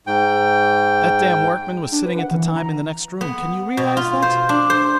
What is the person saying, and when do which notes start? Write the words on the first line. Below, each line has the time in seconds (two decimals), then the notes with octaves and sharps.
That damned workman was sitting at the time in the next room--can you realise that?
0.07 G#2 G5
1.92 D4
2.06 B4
2.19 F#5
2.31 E3
2.56 A#5
3.21 B3
3.77 B2
3.97 F4
4.22 C5
4.49 D4
4.70 C5